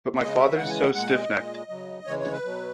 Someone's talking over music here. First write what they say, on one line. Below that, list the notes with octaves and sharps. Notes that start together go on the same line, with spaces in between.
But my father’s so stiff-necked.
E5
C#3 G#3 D#5
E5
C#3 E3 G#3 F#5
G#5
F#5
A#2 G#3 F#5
D#5
A#2 G#3
C#3 F#3
C#3 E3 G#3 C#5
C#5
B4
B2 F#3